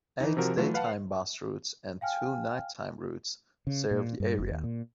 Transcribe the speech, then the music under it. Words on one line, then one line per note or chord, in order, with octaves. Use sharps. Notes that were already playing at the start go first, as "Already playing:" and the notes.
Eight daytime bus routes and two night-time routes serve the area.
E3 D#4
C3 F3 F#4 A#4
E3 F#3 A3 F4
B4 F5 F#5 A5
F5 G5 G#5 F6
C#3
A#2
G2
F#1
D#2
A#2